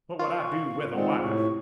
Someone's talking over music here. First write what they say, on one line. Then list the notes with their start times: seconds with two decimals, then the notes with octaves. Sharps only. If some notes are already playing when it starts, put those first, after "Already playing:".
What would I do with a wife?
0.19 F4 F5 C#6
0.94 D#3 G#3 C4 D5 F#5
1.22 A2 C3 C#6